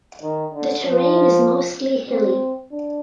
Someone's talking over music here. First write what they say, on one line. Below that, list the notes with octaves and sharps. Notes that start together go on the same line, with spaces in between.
The terrain is mostly hilly.
D#3
D3
F3
C4
D4